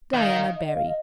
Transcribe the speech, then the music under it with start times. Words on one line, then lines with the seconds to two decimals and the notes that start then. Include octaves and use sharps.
Diana Barry.
0.13 D#3 F5
0.55 D#5
0.65 D#5
0.75 F5
0.86 D#5